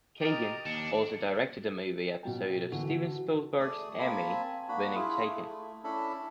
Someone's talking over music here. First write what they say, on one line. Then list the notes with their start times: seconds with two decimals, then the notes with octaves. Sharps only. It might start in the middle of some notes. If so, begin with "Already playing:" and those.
Kagan also directed a movie episode of Steven Spielberg's Emmy winning "Taken".
0.21 G4 A#4 D#5 A6
0.66 D#2 D4 C#7
2.23 B2 F#3 G5
2.72 D3 E3 F#4
3.60 A3 G#4 D5 D#6
3.99 A#3 C4 G#5 A5 B5
4.69 A#3 D4 F#4 B5
4.95 E4 F4 G#4
5.29 A3
5.84 C#4 D4 E4 A4 A5 B5